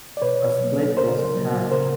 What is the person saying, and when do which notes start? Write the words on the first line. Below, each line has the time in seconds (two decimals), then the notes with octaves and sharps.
A split was at hand.
0.17 D5
0.22 B2 B4 C#5
0.60 F#3 A#3
0.97 C#3 A#4 C5
1.35 F#3 A#3
1.72 C#3 A#4 C5